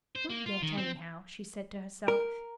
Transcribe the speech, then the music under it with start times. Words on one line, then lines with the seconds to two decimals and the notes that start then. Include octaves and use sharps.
"Not yet, anyhow," she said to herself.
0.16 C5
0.30 A#3
0.46 F4
0.62 D#3
0.77 C4
2.08 A#4